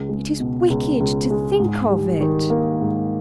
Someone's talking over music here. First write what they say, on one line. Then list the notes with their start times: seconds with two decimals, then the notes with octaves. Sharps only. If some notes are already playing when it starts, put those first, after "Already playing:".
"It is wicked to think of it."
Already playing: C#2
0.09 G#3
0.40 B2
0.70 C#2
1.00 C#2
1.30 G#3
1.60 G#2
1.90 G3
2.21 D#3
2.50 A#3
2.81 G#2